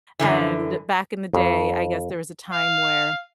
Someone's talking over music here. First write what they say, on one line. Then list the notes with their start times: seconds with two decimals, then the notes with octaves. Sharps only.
and back in the day, I guess there was a time where,
0.19 F#2 D3 E3
1.33 F2
2.52 F5